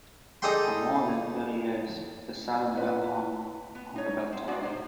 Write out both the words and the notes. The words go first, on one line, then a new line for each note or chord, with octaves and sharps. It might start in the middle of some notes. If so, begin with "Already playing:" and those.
For more than thirty years, the silent bell hung on the bell tower.
D#4 G#4 A4 D5 G5 C6
F4 B4 C#5 D#5 F#5
B3
D#4 C#5
C4
G#3 B3 D4 D#4 F#4 D5
A2 F#3 C5